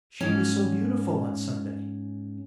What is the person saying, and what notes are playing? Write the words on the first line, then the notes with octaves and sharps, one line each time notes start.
She was so beautiful on Sunday.
G#2 C#4